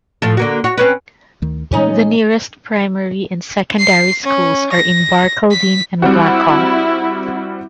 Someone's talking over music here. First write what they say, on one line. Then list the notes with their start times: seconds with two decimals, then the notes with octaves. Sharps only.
The nearest primary and secondary schools are in Barcaldine and Blackall.
0.22 A2 F3 A4
0.37 D3 A#3 F#4
0.64 F#4 C#5
0.77 C4 C#4 B4
1.42 D2 D#3
1.73 A#2 E3 G#3 C#4 D#4
3.79 C7
4.23 C#4
4.72 A#6
5.51 B6
6.02 G3 C4 E4 F#4